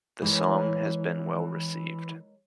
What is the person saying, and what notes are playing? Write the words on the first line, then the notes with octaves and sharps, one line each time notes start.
The song has been well received.
E3 G#3 A#4 C#5